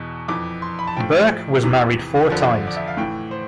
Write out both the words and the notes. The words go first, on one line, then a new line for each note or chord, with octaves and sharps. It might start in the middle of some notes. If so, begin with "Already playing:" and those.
Burke was married four times.
Already playing: E2 B2
F2 E3 D6
C6
B5
A5
A2 F3 G5
E2 C3 E3
F2 D3 F3
D5
E5
F5
A2 E3 G5
C5